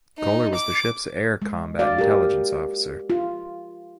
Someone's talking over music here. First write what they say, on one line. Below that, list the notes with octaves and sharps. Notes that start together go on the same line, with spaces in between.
Kohler was the ship's air combat intelligence officer.
D#4
D6
G#3
F#4 D5 F5
G4 A#4
F4